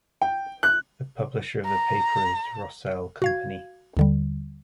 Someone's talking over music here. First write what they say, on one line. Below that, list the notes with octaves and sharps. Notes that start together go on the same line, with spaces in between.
The publisher of the paper is Rossel company.
G5
F#6
A#5
F#4 F5 G#6
D#2 D3 G3